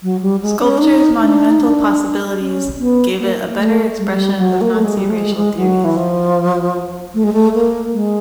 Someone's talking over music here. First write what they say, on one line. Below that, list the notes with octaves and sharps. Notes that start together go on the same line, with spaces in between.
Sculpture's monumental possibilities gave it a better expression of Nazi racial theories.
F#3
G3
G#3
C#4
D4
D#4
D4
D#4
D4
C#4
B3
A#3
A3
G3
G#3
G3
F#3
A#3
A3
G#3
G3
A3
G#3
G3
G#3
F#3
E3
F3
A3
G#3
A3
A#3
G#3